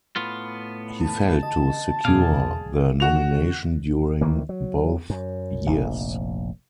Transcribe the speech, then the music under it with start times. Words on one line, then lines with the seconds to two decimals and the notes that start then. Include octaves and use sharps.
He failed to secure the nomination during both years.
0.16 A2 B3 F4
1.00 A5
1.43 D#5
2.05 E2 B2 G#4 D5 F5
3.00 F#4 F7
4.21 D2 D#3 E3 A#3
4.49 F#3
5.10 F#2
5.66 F1 A#1